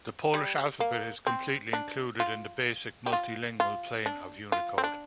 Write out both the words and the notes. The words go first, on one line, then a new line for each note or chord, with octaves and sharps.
The Polish alphabet is completely included in the Basic Multilingual Plane of Unicode.
G3
A#3
C4
D4
F4
G4
F4
F4
D4
F4
C4
D4